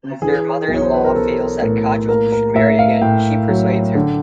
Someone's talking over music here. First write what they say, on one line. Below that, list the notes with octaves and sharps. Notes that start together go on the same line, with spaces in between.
As her mother-in-law feels that Kajal should marry again, she persuades her.
E3 G#4
B1
C#5
C5
B4
A#4
B1 A4
A2 A#4
A#3 A#4
A#4
A2 E5
F5
A2 G5
F#3
D3